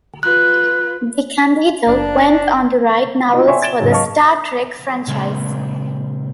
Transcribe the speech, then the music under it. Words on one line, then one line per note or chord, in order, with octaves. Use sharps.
DeCandido went on to write novels for the "Star Trek" franchise.
F4 B4 F#6
F#1 D4
B3 D#4 F4 F#4
D5 E5 G5 G#5 C6 C#6
G#6 A6 D7 E7 G7
C#2 G#2 F#3
D#5 F5 A5 C#6
A#2 C#3 G#3 C4 D4